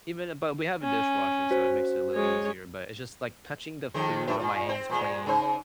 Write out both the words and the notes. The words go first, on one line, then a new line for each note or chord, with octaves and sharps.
even eh, but we have a dishwasher, so it makes it a little easier, but it's just like touching the food on my hands clean.
C#4
F#4 C5
G#3 C#5
F2 D#3 G#3
G2 F3 E5
A#2 F4
C4 C5
A#2 G#3
C#3 D#4 C5